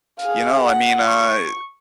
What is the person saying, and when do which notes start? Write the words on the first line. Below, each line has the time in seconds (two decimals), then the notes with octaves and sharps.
you know, I mean, uh,
0.20 G#4 F5
0.64 F#5
1.09 C#6